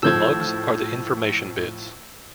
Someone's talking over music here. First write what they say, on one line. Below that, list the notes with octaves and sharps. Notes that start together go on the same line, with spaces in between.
The lugs are the information bits.
A2 F3 E6 G6 G#6